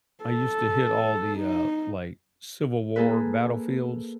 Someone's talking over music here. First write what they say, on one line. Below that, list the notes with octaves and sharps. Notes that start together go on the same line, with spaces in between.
I used to hit all the, uh, like, civil war battlefields
A4
D#4
A#3 G#4 A4 B4